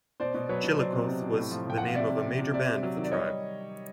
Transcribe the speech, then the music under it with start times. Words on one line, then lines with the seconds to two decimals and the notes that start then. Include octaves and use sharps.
"Chillicothe" was also the name of a major band of the tribe.
0.20 B2 C5 D5
0.34 B2
0.49 F#3 B4 C#5
0.64 B2
0.78 F#3 C5 D5
0.93 C3
1.07 C3
1.22 C3
1.37 A2
1.51 F3
1.65 F3 G5
1.78 F3 F#5
1.87 F5
1.95 C3 D5 E5
2.10 C3
2.25 C3
2.39 C3
2.54 C3 D5 E5
2.68 C3
2.83 F#3
2.98 D#3
3.04 D5
3.11 G3 C#5 D#5